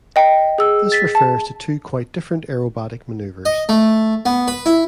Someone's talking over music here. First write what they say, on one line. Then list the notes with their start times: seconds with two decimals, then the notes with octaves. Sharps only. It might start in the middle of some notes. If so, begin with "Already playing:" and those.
This refers to two quite different aerobatic maneuvers.
0.16 D#5 G5
0.58 G#4 E6
0.92 A6 B6
1.15 A5
3.45 D#5
3.69 A3
4.26 B3
4.48 B4
4.66 E4